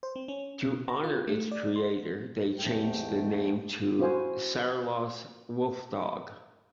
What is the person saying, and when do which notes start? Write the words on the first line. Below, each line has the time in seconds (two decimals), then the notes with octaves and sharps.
To honor its creator they changed the name to "Saarloos Wolfdog".
0.03 C5
0.16 C4
0.28 C#4
0.66 B2
0.89 A#5
1.04 F4
1.27 A3
1.51 D5
1.76 C6
2.58 E2 G#2 C3 A3 G5
3.99 C#4 E4 F#4 C5 F5 G#5